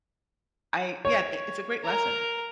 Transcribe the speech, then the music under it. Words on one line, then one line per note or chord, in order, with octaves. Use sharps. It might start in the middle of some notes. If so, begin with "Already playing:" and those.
I yeah, it's a great lesson.
C#5
A#4 A#5